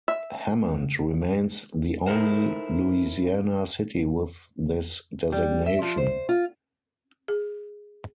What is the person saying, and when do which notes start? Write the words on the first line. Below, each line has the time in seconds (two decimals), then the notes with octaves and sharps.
Hammond remains the only Louisiana city with this designation.
0.08 E5
2.06 D#4 E4 A4 A#4 C5
5.32 G3
5.66 E5
5.82 F3
5.97 C5
6.29 F4
7.28 G#4